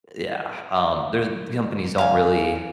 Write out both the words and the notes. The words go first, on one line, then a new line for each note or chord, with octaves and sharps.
yeah, um, there companies don't really
F5 G#5